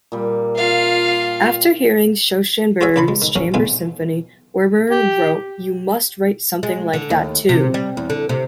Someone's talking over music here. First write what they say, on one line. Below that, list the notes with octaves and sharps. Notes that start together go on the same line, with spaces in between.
After hearing Schoenberg's Chamber Symphony, Webern wrote You must write something like that, too!
A#2 G3
F4 F5
F4 F#4 G#4 C#5 E5 F5
C#3 D4 B4 A5 B5 C6
G#3
D#3
A#1 F#3 C#4
B1 E2 E3 F4 G#5
G4
G#3
D3
D#2
C3
G3
E2
D3
C3